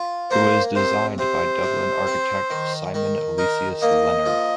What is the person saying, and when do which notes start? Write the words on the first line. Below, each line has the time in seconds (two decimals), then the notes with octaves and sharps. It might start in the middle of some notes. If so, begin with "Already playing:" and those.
It was designed by Dublin architect Simon Aloysius Leonard.
Already playing: F4
0.31 A#3 C5
0.76 C3 C5
1.18 C3 C5
1.63 C3
2.07 C4
2.50 D#3
2.94 D#3
3.38 D#4 A#4
3.82 A#3 D#5
4.26 F3